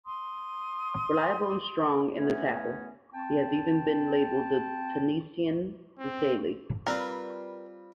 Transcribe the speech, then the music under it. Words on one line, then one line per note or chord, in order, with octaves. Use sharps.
Reliable and strong in the tackle, he has even been labelled "the Tunisian Desailly".
C6 D#6
C#3 E3 A3 B3 C#4
C4 G5 A5
C4
G3 C4 F4 A#4 B4